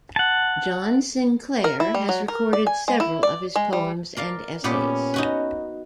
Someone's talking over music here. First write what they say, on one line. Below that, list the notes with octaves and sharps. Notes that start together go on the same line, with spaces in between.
John Sinclair has recorded several of his poems and essays.
F#5 A5
A#4
E4
G3
F#3
A#4
D5
G#5
G#3
E4
D5
G#3
G3
A#4 D5 F5
A#2 B3 C#4 G4
D#4 F#4 B4